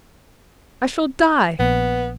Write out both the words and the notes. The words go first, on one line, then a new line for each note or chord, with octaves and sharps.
I shall die!
A#1 B3